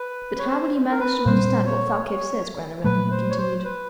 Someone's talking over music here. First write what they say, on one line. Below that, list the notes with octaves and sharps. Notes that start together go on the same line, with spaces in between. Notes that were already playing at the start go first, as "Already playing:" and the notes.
"But how will you manage to understand what Thalcave says, Glenarvan?" he continued.
Already playing: B4
C#5
C5
A#4
B4
A#2 G3 C4 C5
C#5
C#5
A#2 F#3 A3 B4
C5
C#5
C5
C5
B4